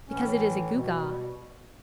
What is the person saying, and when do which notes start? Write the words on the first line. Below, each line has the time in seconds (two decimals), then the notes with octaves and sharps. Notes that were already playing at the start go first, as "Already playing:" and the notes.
Because it is a gewgaw.
0.09 A2 E3 C#4
0.69 B2 G3
0.85 F#3
1.00 G3